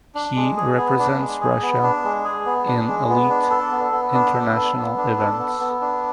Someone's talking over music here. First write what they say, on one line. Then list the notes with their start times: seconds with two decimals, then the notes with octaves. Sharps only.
He represents Russia in elite international events.
0.15 D4
0.36 G#3
0.57 G#4
0.78 B3
0.99 D4
1.20 G#3
1.41 G#4
1.62 B3
1.83 D4
2.04 G#3
2.25 G#4
2.46 B3
2.67 D4
2.88 G#3
3.09 B3
3.30 D4
3.50 A4
3.72 B3
3.93 B3
4.14 D4
4.34 A4
4.56 B3
4.76 B3
4.97 D4
5.18 A4
5.39 B3
5.60 B3
5.82 D4